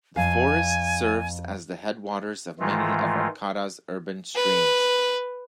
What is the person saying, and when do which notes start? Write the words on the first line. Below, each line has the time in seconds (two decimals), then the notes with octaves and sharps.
The forest serves as the headwaters of many of Arcata's urban streams.
0.16 F2 F5 G#5
2.60 G#2 D#3 E3 G#3 A3 F4
4.36 B4